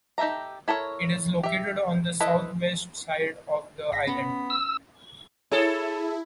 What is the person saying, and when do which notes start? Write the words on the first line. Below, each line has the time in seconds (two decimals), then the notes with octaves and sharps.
It is located on the southwest side of the island.
0.18 D#4 G4 A4 E5 A#5
0.68 E4 A4 A#4 C#5
1.43 G4 E5
2.20 E4 A4 B4 C5 D#5
3.92 G#1 A#6 B6
4.07 B3 C#4
4.50 E6
5.52 E4 G#4 A4 C#5